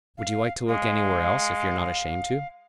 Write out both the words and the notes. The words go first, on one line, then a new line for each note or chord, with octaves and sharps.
"Would you like to look anywhere else if you're not ashamed to?"
F5
G#3 F5